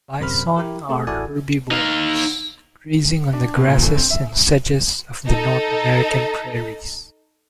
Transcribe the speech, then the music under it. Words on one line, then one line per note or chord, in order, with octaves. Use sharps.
Bison are herbivores, grazing on the grasses and sedges of the North American prairies.
F#2 C3 A#4 C5 B5 F6
E4 G4 A#4
A3 C4 G4 G#4
A1 E4 F#4 A4 D5 G#5
D#4 F5
D4
B2
A#2
G1
C4
E5
D#4 A4